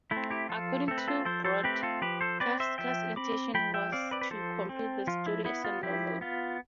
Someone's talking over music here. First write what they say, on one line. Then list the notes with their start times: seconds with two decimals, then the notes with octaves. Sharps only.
According to Brod, Kafka's intention was to complete the story as a novel.
0.11 A3 E4
0.17 C4
0.30 E4 G4
0.49 F3 F4 A4
0.88 A3 C4 A4
0.98 B4
1.08 F4 A4
1.25 F3 A4 C5
1.45 A4 C5
1.64 A3 C4 G4 B4
1.83 F4 A4
2.02 F3 G4 B4
2.21 A4 C5
2.40 C4 B4 D5
2.60 C5 E5
2.78 F3 E5 G5
3.16 C4 B5 D6
3.54 F3 G5 B5
3.74 E5 G5
3.92 C4 D5 F5
4.11 B4 D5
4.21 B4
4.31 F3 A4 C5
4.69 C4
5.07 F3 F4
5.26 E4
5.45 B3 E4
5.65 F4
5.83 F3 E4 G4
6.21 B3 F4